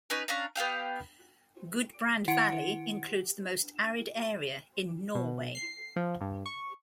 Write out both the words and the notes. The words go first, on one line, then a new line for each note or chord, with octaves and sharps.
Gudbrand Valley includes the most arid area in Norway.
C#4 D#4 B4
C#4 D4 F5 A#5
B3 G4 F5 G5
D#3 E4 F#5 C#7 D7
B2
C7
F3
G2
C#6